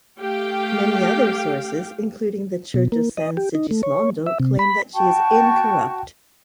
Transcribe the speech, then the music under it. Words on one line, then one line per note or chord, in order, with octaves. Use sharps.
Many other sources, including the Church of San Sigismondo, claim that she is incorrupt.
A3 G4 F5 G5
B2
A#3
D#5
G4
D#4
A3
C#5
E5
C3
B5
F#4 G5 A5 C#6